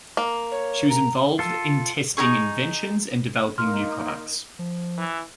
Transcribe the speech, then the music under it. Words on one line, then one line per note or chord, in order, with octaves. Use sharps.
She was involved in testing inventions and developing new products.
A#3
C#5
A#5
F4 A4
D#4 E4 G#4 C#6
A#3 D#4 C6 F6
F3
E3